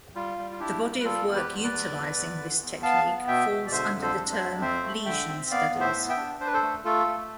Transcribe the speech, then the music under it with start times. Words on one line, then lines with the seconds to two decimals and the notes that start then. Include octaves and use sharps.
The body of work utilizing this technique falls under the term "lesion studies".
0.15 G3 F4
0.38 G3
0.51 F4
0.60 D4 E4 G4
0.82 G3
1.00 B4
1.04 G3 F4 A4
1.26 E2
1.35 G4 B4
1.49 E2
1.64 B4 D5
1.71 E2
1.94 E2
2.15 E2
2.38 D3
2.61 E2
2.83 B3 F5 A5
3.05 B3
3.28 B2 E5 G5
3.50 B2
3.67 D5
3.72 D3 C5 E5
3.94 F2
4.02 A4 C5
4.16 D4
4.32 C5 E5
4.39 F2
4.61 C4 C5 E5
4.83 A3
5.05 D3 E5 G5
5.29 C4
5.51 B3 D5 F5
5.73 A2
5.80 C5 E5
5.96 B3
6.10 E5 G5
6.17 D4
6.40 D4 C5
6.47 B4
6.54 A4 C5
6.62 A3
6.85 A3 F4 A4
7.07 A3